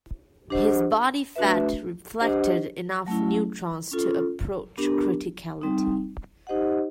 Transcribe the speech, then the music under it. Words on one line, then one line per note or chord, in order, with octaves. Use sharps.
His body fat reflected enough neutrons to approach criticality.
D4 G4 C5 D#5 F#5
A3 D4 F#4 B4 E5
D4 G4 C5 D#5 F#5
F#3 A3 C#4 E4
C#4 F4 A4
B3 D4 G4 A#4
G3 C4 D#4
D#4 G4 C5 D#5 F#5